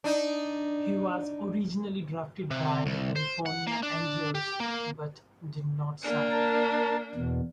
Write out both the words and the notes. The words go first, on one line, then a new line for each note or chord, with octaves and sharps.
He was originally drafted by the California Angels but did not sign.
D4 D#4
C3
C2
C5
F#5
A#3
D4
G4
A#3
A#3 D4
A#4 A5
E2 B2